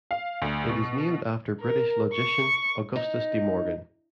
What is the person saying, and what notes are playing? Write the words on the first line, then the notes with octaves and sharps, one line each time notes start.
It is named after British logician Augustus De Morgan.
F5
D2
B2
A#4
C#6
D#4